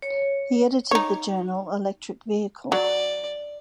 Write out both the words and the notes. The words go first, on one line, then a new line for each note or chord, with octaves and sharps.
He edited the journal "Electric Vehicle".
C#5
D#4 C#5
F#3 D5